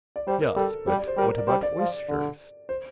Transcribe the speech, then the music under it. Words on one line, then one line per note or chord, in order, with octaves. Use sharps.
Yes but what about oysters.
D5
G3 C5
A#4
G3 A4
G3 G4
D5
C5
G3 A#4
D5
G3 C5
D5
F3
D3
C5